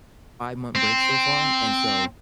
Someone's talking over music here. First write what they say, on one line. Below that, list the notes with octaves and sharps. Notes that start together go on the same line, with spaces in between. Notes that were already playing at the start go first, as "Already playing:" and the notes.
five-month break so far, and so
C4